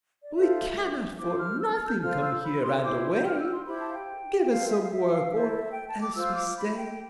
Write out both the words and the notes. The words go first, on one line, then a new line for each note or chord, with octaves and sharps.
"We cannot for nothing come here, and away. Give us some work, or else we stay."
D5
F4 A4 C5 E5
E4 G4 C5 D6
F6
E6
F6
G6
F4 A4 C5 F6
E6
B5
C6
E4 G4 C5 D6
G6
F6
E6
C6
E4 G4 C5 B5
A5
F5
G5
F4 A4 C5 F5
E5
F5
E5
F5
E4 A4 C5 E5
E5
G5
A5
D6
F4 C5 E6
D6
B5
G5